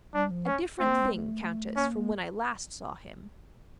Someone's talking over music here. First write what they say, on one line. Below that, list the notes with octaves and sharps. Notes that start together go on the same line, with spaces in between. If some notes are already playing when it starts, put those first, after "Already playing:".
A different thing, Countess, from when I last saw him.
G3 D4
F3
C#4
A3 C4
A#3
G#3
A3
A#3 C#4